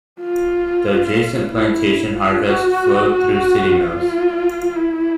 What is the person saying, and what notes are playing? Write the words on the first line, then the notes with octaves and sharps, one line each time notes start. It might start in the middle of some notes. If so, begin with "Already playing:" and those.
The adjacent plantation harvests flowed through city mills.
F4
E4
F4
F#4
F#4
F4
E4